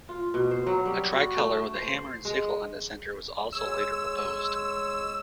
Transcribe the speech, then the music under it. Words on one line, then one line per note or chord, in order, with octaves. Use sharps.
A tricolor with the hammer and sickle on the centre was also later proposed.
F4
B2
C5
F#3
G3
F#4
A3
C5
G#3
G#3 C#5 E6